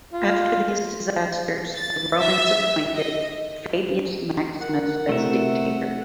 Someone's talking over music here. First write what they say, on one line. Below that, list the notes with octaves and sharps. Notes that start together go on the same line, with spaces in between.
After these disasters the Romans appointed Fabius Maximus as dictator.
F4
A6
E5
D#5
A#4 F#5
C3 A3 C4 E4 E5